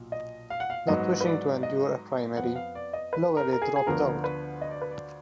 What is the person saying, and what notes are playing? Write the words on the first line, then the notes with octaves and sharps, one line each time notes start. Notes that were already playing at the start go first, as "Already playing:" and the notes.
Not wishing to endure a primary, Lowery dropped out.
Already playing: B1 A#2
D#5
F5
F#5
F5
G#2 F#3 B3 D#5
B4
D5
D#5
F2 F3 B3 F#5
F5
D5
D#5
B4
A#4
A#4
G#4
G#4
D2 D3 F3 B3 A#4
B4
D#5
D5
B4
D5